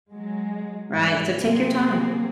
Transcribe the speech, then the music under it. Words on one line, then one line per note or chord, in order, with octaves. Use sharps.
right, so, take your time.
F#3 G#3
G#2 E3 F#3 G3
C3 F#3 A#3 C4 G#4